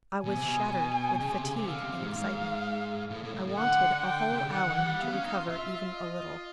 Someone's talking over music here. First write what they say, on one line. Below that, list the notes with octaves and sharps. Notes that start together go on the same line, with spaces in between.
I was shattered with fatigue and excitement; I wanted a whole hour to recover even a little.
B2 G#5
C3
B2
C#3
C3
C#3
C3
D3 F5
C3
G#2
G#2 F5
A2
A2
A2
A2
D3 F#5
G5
C3
C#3
D3
D#3 F#5
E3
G3
B3 F5
C#4
D#4
F4
F4 E5
D#5